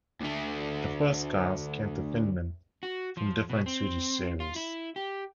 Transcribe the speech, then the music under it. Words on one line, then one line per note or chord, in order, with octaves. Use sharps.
The first cars came to Finland from defunct Swedish series.
D2 A3
F#4
F3
B2
C4
F4
E4
G4